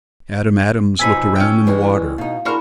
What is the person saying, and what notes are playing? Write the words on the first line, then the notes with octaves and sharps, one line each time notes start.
Adam Adams looked around in the water.
B2 F3 D#4 G#5 B5 E6
C#4 G5
E3 G3 G#3 B4
B2 D#4 F5
D4 E4 F#4 G#4 A#4 C5 B5 F6